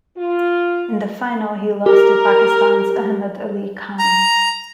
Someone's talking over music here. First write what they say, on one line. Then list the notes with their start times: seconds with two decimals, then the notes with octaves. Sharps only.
In the final he lost to Pakistan's Ahmed Ali Khan.
0.17 F4
1.86 G4 A#4
3.99 A#5